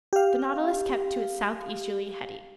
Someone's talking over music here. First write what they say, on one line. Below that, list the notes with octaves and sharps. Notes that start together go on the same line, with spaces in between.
The Nautilus kept to its southeasterly heading.
G4 F5